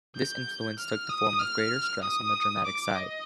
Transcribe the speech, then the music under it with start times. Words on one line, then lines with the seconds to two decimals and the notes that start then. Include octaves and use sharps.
This influence took the form of greater stress on the dramatic side.
0.16 G6
0.78 F6
1.09 D#6
1.40 F6
2.02 D#6
2.64 D6
2.95 D#5